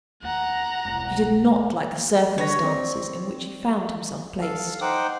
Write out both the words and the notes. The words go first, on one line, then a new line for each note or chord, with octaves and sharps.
And he did not like the circumstances in which he found himself placed.
D#2 F#5 A#5
E1 C2
D3 B4 C#5 A#6
C4 D5
A4 F5
D#4 C5 F#5 G5 D6